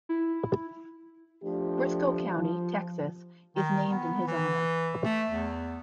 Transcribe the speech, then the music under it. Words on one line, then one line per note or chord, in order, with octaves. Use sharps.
Briscoe County, Texas, is named in his honor.
E4
F3 A3 D4 G4
F3
D#3
B3
E3
A3
E2